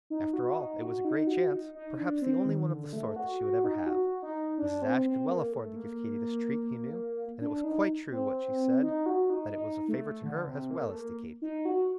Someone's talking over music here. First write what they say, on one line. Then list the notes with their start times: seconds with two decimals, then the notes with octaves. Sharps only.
After all, it was a great chance,--perhaps the only one of the sort that she would ever have. Mrs. Ashe could well afford to give Katy this treat, he knew; and it was quite true what she said, that it was a favor to her as well as to Katy.
0.10 D#4
0.33 F#4
0.46 F#4
0.57 D#4
0.81 F#4
1.05 D#4
1.27 F#4
1.51 D#4
1.75 D#4
1.98 D4
2.22 C4
2.46 D#3
2.69 D3
2.93 A3
3.16 F#4
3.40 F#4
3.64 D#4
3.86 F#4
4.22 D#4
4.58 D4
4.82 C4
5.05 C4
5.28 A#3
5.52 A3
5.76 A#3
7.41 D4
7.64 D#4
8.11 C4
8.82 D#4
9.06 F#4
9.30 D#4
9.53 D#4
9.88 A3
10.23 D3
10.47 C3
10.71 A#3
10.86 A3
10.95 A#3
11.42 D#4
11.65 F#4